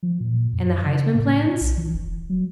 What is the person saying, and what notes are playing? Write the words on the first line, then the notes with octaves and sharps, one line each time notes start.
And the Huysman plans?
F3
A#2
F#2
C#3
A2
B1
E3
F1
E1
F#3